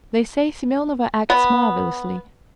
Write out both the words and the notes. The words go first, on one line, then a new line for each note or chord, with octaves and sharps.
They say Semenova acts marvelously.
B3